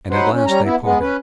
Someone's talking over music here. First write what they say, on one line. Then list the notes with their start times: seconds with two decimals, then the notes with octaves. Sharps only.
And at last they parted.
0.11 F#3 D#4 B4 C5 F#5
0.32 C#4
0.47 G3 C#4 A#5
0.64 B3 E4
0.83 G#3 B3
1.00 C#4 B4